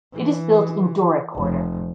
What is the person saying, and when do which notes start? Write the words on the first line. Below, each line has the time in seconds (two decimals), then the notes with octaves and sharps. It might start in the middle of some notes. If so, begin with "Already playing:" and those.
It is built in Doric order.
0.13 E3
1.35 F1